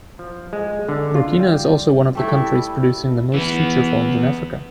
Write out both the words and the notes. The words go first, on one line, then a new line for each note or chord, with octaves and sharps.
Burkina is also one of the countries producing the most feature films in Africa.
F3
G#3
D3
F4
G3
G3 A3 E4
E3 B3